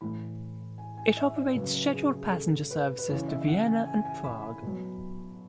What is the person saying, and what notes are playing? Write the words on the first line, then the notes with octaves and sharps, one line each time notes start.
It operates scheduled passenger services to Vienna and Prague.
A2 E3 B5
G#5
G#5
E5
D5
C#3 F#3 B4
B4
G#4
G#4
A4
B4
B4
C#3 E3 C#5
E5
E5
F#5
G#5
G#5
G#5
B5
B5
B2 F#3